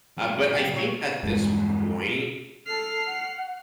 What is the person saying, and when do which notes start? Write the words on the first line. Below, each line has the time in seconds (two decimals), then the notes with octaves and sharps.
Uh, but I think at this point
0.17 C#3 F#3
0.53 G3
0.73 A#2 F#3 C#5
1.23 E2 G2 G#3
2.67 A4 F6 C7
3.06 F#5